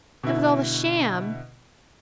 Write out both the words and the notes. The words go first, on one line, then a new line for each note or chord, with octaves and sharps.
It was all a sham.
B2 D3 E4